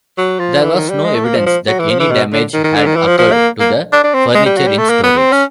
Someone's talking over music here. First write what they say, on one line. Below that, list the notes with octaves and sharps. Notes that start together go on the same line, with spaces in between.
There was no evidence that any damage had occurred to the furniture in storage.
F#3
F3
E3
D#3
G3
G#3
A3
A#3
F3
F3
F#3
E3
F3
E3
B2
D3
D#3
D#3
D3
D#3
E3
F3
F3
A#3
A#3
D4
D4
C4
G#3
G3
F#3
G3
A3
A#3
B3
C4
C#4